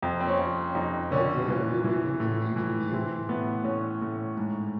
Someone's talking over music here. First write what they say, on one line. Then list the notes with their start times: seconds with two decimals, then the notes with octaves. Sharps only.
Godzilla reawakens and leaves for the ocean.
0.02 F2 C4
0.20 C4
0.27 C#4
0.39 F2
0.75 F2 D#4
1.12 D3 C#4
1.48 E3
1.84 E3
2.20 A2
2.56 E3
2.92 E3 C4
3.29 A2 B3
3.64 A2 C#4
4.01 A2
4.37 G#2